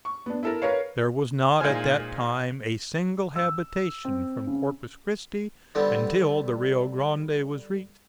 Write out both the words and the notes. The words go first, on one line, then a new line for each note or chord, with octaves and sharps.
There was not at that time a single habitation from Corpus Christi until the Rio Grande was reached.
C#6
B3 D4
E4 A4 A#4
A#4 B4 C#5 F5
A#2 G#3 D#4 C5 G#5 F6
E6
C4
C#3
D3 G3 B3 C4 D4